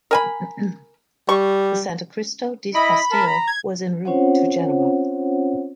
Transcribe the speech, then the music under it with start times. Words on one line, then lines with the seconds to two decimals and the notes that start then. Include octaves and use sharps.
The "Santo Christo de Castello" was en route to Genoa.
0.11 A#4 G#5 B5
1.29 G3 C#6
2.75 E4 D#5 B5
3.12 A#4 A5
3.26 A#5
3.48 G#6
4.05 C4 C#4 F4 C5 C#5 F#5